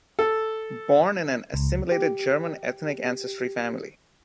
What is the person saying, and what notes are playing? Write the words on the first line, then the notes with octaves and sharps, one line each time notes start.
Born in an assimilated German ethnic ancestry family.
A4
C#2
G4